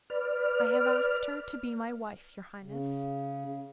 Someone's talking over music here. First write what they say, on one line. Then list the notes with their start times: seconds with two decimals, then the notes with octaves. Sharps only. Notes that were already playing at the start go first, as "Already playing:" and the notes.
"I have asked her to be my wife, your highness."
0.10 B4 D5 F6
2.62 C#3